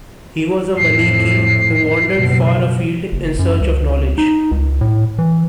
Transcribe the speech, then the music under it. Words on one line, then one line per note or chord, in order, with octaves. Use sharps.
He was a Maliki who wandered far afield in search of knowledge.
F2 A2 C7
F#1 B2
F#1
F#2
C#2
D#4
C#2
A2
E3